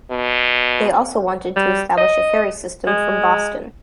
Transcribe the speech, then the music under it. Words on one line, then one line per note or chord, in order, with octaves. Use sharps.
They also wanted to establish a ferry system from Boston.
B2
G3
D#5
G#3